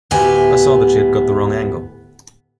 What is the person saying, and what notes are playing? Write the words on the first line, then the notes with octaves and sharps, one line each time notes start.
I saw that she had got the wrong angle.
D2 A2 B3 G4 G#5